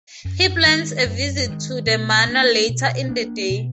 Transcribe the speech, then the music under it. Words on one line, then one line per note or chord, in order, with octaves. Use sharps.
He plans a visit to the manor later in the day.
F#2
D#3 G#3
F#2
D#3 G#3
B2
A#3 D4
B2
A#3 D4
B2